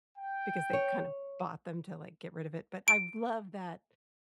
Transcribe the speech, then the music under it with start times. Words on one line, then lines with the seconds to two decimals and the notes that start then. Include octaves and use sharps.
because they kind of bought them to, like, get rid of it, but I love that
0.18 G5
0.73 C#5
2.88 D7